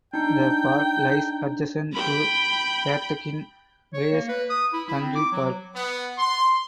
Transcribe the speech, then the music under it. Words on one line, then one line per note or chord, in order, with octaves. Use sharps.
The park lies adjacent to Cathkin Braes Country Park.
D4 D#4 G5
G5 B5
C#5
A#3
B4
D#6
E4
E4
C4
D6
F#3
B3
C6